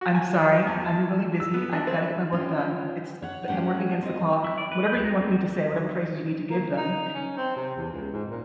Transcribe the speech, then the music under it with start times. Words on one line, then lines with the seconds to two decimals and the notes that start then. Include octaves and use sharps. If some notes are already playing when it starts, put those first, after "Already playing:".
"I'm sorry, I'm really busy, I've gotta get my work done, it's I'm working against the clock", whatever you want me to say, whatever phrases you need to give them.
0.01 F#4
0.15 G#5
0.40 D#6
0.67 E2
0.84 A5
1.40 E6
1.54 B3
1.73 D4
1.87 C4
2.33 C#4 F4 G4
3.22 C#5 F#5
3.48 F#3 A3 C#4 G4 F#5
4.02 C4 D#5
4.44 E4
4.58 D5
4.72 B4
4.87 G6
5.04 D#4
5.21 C4
6.50 A#3
6.77 D#4
7.14 C#4
7.37 C4
7.56 C3
7.76 E2
7.92 C#2
8.12 G#2
8.29 A#2